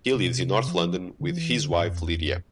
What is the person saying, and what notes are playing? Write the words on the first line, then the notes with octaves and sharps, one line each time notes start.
He lives in North London with his wife Lydia.
C3
B2
C3
F3
D3
F3
E3
D3
F2
G#2
F2
E2
F2